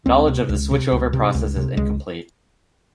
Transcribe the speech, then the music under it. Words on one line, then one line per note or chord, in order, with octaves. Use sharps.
Knowledge of the "switchover" process is incomplete.
C#2 C4
C3
C#2
C3
C#2
C3
C#2
C3
C#2 G#3